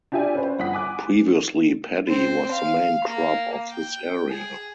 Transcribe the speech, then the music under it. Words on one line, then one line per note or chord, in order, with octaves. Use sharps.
Previously paddy was the main crop of this area.
D4 F4 G4 D5 E5 G#5
C#4 B4 C5
G1 F#5 D#6 B6
G#5 D6 F#6
C4
F5
A#3
G5
G#4